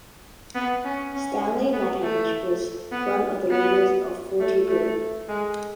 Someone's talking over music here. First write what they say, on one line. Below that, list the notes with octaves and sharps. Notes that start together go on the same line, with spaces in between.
Stanley Mathenge was one of the leaders of Forty Group.
B3
C#4
C#4
B3
A3
B3
B3
A3
A3
G#3